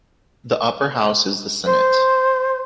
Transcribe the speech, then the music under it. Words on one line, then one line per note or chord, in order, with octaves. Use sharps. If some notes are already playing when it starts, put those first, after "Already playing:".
The upper house is the Senate.
C5